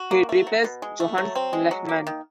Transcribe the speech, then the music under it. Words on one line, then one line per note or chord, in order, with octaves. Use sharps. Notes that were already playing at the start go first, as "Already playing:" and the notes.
He replaced Johannes Lehman.
Already playing: F#4
A#3
A3
F#3
B2
G#3
A3
F#3
C4
G#3
F#3
A#3
D#3